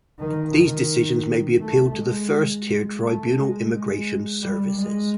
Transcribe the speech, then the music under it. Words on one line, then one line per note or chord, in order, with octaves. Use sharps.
These decisions may be appealed to the First-tier Tribunal Immigration Services.
D#3
D#3
A3
G#3
G#3
A3
G#3
G#3
G3
G#3